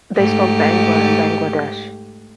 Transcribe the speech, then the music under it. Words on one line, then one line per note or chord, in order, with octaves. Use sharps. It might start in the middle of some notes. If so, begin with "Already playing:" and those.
They spoke Bangla in Bangladesh.
G#2 A3 G4